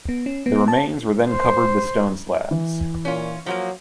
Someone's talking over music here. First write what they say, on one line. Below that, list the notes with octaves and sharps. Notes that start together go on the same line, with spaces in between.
The remains were then covered with stone slabs.
B3
C#4
B3
A5
C5
E3
A#2 C#4 F4
F3 F#3 A3 A#3